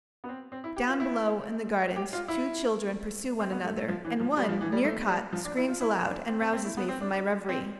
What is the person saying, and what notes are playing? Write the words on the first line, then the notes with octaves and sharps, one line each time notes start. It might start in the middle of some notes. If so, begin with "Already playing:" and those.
Down below in the gardens two children pursue one another, and one, near caught, screams aloud and rouses me from my reverie.
B3
C4
C4
E4
G4
F4
E4
G4
F4
E4
C4
B3
A3
A3
F3
E3
F3
G3
F3
E3
G3
A3
G3
F3
D4
E4
F4
E4
D4
C4
C4
C4
E4
B3
C4
D4
D4
C4